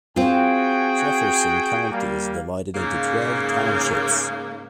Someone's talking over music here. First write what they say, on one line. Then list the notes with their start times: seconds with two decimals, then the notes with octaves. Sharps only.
Jefferson County is divided into twelve townships.
0.16 C4 F4 F#4 G#4 G5
1.89 G3 A#3
2.75 G#2 C#3 A#3